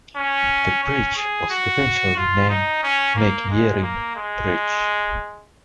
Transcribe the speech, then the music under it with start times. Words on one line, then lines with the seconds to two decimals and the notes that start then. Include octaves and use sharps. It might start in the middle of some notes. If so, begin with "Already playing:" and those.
The bridge was eventually named Megyeri Bridge.
0.16 C#4
0.84 C#4
1.16 G#4
1.50 F#4
2.17 F4
2.50 D#4
2.83 C#4
3.16 A#3
3.50 G#3
3.83 A#3
4.16 G#3